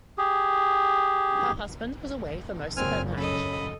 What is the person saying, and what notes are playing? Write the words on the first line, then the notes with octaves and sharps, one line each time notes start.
Her husband was away for most of their marriage.
G4 G#4
F#2 A#2 C#3 C4 G#5 F6
C#4 A4 D#5 B5